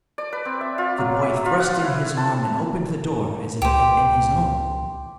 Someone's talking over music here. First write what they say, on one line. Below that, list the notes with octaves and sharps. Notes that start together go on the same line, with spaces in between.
The boy thrust in his arm and opened the door as if it had been his own.
D5
B4
C4
E5
F4
F#3
E5
F4
F#5
E4
A5
C#2 G4 C5